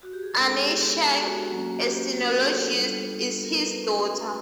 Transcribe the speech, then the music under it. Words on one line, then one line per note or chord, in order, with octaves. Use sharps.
Anne Cheng, a sinologist, is his daughter.
F#4
G4
G#4
G#3 B3 D4 A4
G#4
G4
F#4
F#3 A#3 C#4
G4
A#4
A4
G3 B3 D4 F4
A#4
B4
A3 C#4 F#4